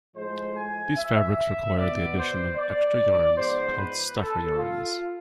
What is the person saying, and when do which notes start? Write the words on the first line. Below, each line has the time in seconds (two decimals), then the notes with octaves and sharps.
These fabrics require the addition of extra yarns, called stuffer yarns.
0.15 A2 F3 G#3 C5
0.55 G#5
0.96 E5
1.76 B2 B3 D5
2.16 C5
2.56 D5
3.36 G#2 F3 B3 C5
3.76 B4
4.16 A4
4.56 F4